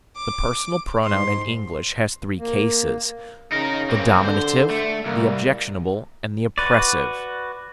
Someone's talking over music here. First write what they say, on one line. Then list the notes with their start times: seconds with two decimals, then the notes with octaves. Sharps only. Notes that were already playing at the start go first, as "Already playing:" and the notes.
The personal pronoun in English has three cases, the dominative, the objectionable and the oppressive.
0.16 D6
1.03 G#2 C6
2.38 A#3
3.52 C#3 D#4 A#4
3.90 A#3 C4
4.24 D3 C5
4.70 A3
5.05 C2 A#3
6.58 F#4 B4 D5